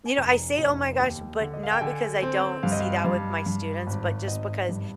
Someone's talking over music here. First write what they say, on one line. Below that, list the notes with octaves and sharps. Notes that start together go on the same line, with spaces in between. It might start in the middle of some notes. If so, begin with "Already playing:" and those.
You know, I say, oh my gosh, but not because I don't see that with my students, but just because
G#5
F1 A#5
F1
D#2
D3
D#5
F5
G5
D3 G#5
C4
G2 F5
D#5
F5
G2
G2
G#1
G#1 D#5
G2